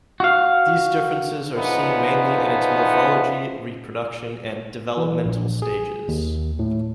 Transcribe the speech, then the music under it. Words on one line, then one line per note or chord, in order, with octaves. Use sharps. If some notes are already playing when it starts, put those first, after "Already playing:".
These differences are seen mainly in its morphology, reproduction, and developmental stages.
F#4 F5
C#3 E3 F3 B3 D4 D#4
E3
A#1
G#4
D#2
A2